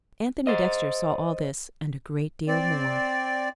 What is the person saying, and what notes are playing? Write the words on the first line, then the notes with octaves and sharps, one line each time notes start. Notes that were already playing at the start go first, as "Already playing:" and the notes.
Anthony Dexter saw all this--and a great deal more.
C5 D#5
C4 D5